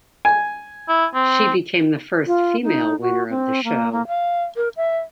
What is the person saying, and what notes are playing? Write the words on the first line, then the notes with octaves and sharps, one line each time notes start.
She became the first female winner of the show.
G#5
E4
C4
F4
D#4
F#4
C4
A#3
A#3
F5
A#4
E5